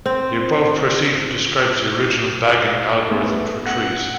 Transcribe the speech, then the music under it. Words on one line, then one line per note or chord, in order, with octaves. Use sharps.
The above procedure describes the original bagging algorithm for trees.
C4
A3 B3 C#4
F#5